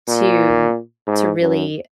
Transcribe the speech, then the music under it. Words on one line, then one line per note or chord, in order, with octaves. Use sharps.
to to really
A#2
G#2
F#2